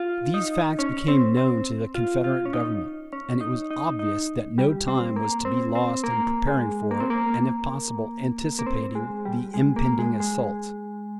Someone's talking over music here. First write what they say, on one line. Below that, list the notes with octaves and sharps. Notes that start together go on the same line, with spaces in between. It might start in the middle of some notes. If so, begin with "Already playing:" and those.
These facts became known to the Confederate Government, and it was obvious that no time was to be lost in preparing for, and if possible anticipating the impending assault.
Already playing: F4
D#4
C#4
C4
C4
F4
F4
C#4
D#4
C#4
D#4
D#4
D#4
G3
C4
A#3
C4
C4
A#3
G#3
A#3
C4
A#3
A#3
C4
G#3
G3
G#3
A#3
G#3
G#3